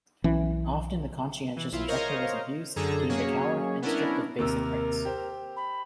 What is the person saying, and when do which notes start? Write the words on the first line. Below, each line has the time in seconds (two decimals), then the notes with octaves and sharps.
Often the conscientious objector was abused, deemed a coward, and stripped of basic rights.
0.24 B1 E3 C#4
1.56 E3
1.72 B1 E4 F4
1.88 A#4 C5 C#5 D#5 F5 A#5
2.76 F#2 D3 G#4 A4 A#5
3.09 F#3 A#3 C#4 G#4 C#5
3.82 B3 C#4 D4 E4 A#4
4.38 D#2 C3 A#4 E6
5.05 G4 C5
5.57 B5